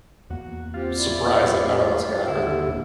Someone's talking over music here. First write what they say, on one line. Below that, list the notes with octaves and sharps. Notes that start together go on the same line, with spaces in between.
surprise that none of us got hurt
E2 A#3 F#4
C4 F4 G4
E4 D5
D#2 D3 E4
D1 B2